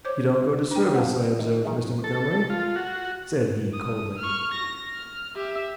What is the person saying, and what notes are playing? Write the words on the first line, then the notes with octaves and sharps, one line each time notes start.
"You don't go to service, I observe, Mr. Montgomery" said he, coldly.
C5 C#5 D6
D4 G5
F2 B3
D#3
D#3 G#3
A4
F4
F#4
D#6
C#6 F6
A#6
F6
G4 E5